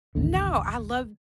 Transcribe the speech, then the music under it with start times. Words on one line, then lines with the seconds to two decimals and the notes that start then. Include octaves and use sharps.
No, I love
0.15 A1 D#2 D3